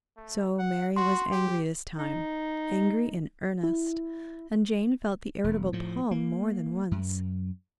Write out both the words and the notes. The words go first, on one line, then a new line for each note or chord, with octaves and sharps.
So Mary was angry this time; angry in earnest, and Jane felt the irritable palm more than once.
A3
F#5
F#4 C6
G4
D#4
E4
E1
A2 F3
A#3
F#2